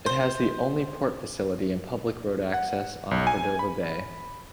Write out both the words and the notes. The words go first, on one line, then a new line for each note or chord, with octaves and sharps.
It has the only port facility and public road access on Cordova Bay.
C5
F#5
B1
G#5
B5